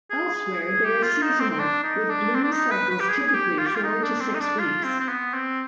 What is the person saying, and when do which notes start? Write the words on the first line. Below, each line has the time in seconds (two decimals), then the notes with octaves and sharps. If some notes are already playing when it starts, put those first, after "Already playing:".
Elsewhere, they are seasonal, with bloom cycles typically four to six weeks.
0.10 G#4
0.35 G#4
0.60 G#4
0.85 G4
1.03 F4
1.22 D#4
1.40 C4
1.50 C4
1.59 D4
1.84 D#4
2.10 D4
2.34 C4
2.44 D4
2.52 D#4
2.71 B4
2.91 B4
3.00 G4
3.09 G#4
3.28 G#4
3.34 G4
3.59 F4
3.67 G4
3.76 F4
3.84 D#4
4.03 D4
4.21 C4
4.35 D#4
4.40 D4
4.59 F4
4.84 C4
5.00 C4
5.09 B3
5.34 C4